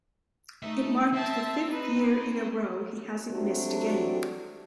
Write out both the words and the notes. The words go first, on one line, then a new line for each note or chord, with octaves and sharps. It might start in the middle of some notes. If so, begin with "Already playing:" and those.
It marked the fifth year in a row he hasn't missed a game.
A3 D#4 E5
C4 E5 A5
D#4 B4
F#3 A3 C4 D4 F#4 G4